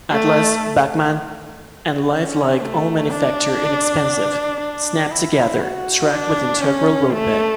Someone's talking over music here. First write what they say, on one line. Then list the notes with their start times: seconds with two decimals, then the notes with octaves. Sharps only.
Atlas, Bachmann, and Life-Like all manufacture inexpensive, snap-together track with integral roadbed.
0.11 A3
2.11 C#4
2.61 A3
3.11 D4
4.61 D4
5.11 E4
5.61 F#4
6.11 D4
6.61 C#4
7.12 A3